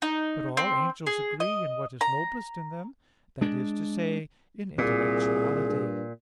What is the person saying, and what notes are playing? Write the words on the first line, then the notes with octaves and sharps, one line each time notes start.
But all angels agree in what is noblest in them--that is to say, in intellectuality.
D#4
C4
G#4
D#5
A#5
G#3 D4
C2 A#2 G#4
G2